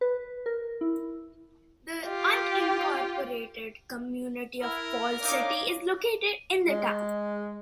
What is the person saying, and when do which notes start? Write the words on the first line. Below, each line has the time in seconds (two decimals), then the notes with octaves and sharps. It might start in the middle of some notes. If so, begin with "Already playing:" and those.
The unincorporated community of Falls City is located in the town.
0.01 B4
0.46 A#4
0.81 E4
2.02 F4 G4
4.61 E4 A#4
5.20 D4 D#4 C#5 F5 D6
6.68 G#3